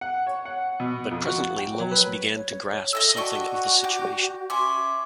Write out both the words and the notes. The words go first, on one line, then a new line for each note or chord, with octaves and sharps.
But presently Lois began to grasp something of the situation.
F#5
C#5
F#5
B2
F2
F#4
G5
F#3
B4
C#5
A4 D#5 E5 E6
F#4 D5 D#5 G5 A5 C#6
G4
C#4 E5 G#5 C6 D6